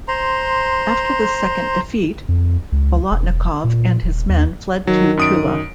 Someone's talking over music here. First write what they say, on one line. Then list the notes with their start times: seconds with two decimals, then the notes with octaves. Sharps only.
After the second defeat, Bolotnikov and his men fled to Tula.
0.08 C5 A#5 C6
2.29 F2
2.72 C#2
3.11 E1
3.64 A#2
4.03 D#1
4.29 D#2
4.87 D#3 F#3
5.17 F#2 D#6 D7